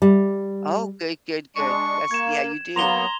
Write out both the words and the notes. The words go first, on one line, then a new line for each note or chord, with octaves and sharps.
Oh, good, good, good. That's yeah, you do.
G3
G#3 D4 C#6
A#3 G#6 E7
F#3 A#3 B3 A#5 C6 F7 G7